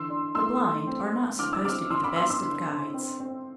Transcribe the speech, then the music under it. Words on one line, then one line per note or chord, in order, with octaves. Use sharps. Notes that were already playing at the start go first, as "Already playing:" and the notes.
The blind are not supposed to be the best of guides.
Already playing: D3 E3 C6 E6
D4
A3 C6 E6
A3
C4
G#3
D3 D6 F6
E6
C4 D6 F6
D3 C6 E6
B5 D6
B3 C6 E6
C6 E6
D3
D3
C4
C4